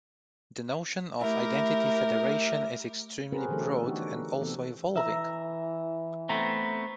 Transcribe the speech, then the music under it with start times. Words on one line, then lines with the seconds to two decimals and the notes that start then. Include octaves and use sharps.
The notion of identity federation is extremely broad, and also evolving.
1.21 A3 E4 G4 A#4
3.32 C4 C#4 F#4 G#4 A#4 B4
3.49 D3 E3 F#3 A3 G4 A4
3.83 B3 D4 D#4 F#4 G4
4.41 C3 E3 B3 C4 A4
4.96 E3 E5 A#5
6.29 A3 B3 C4 A#5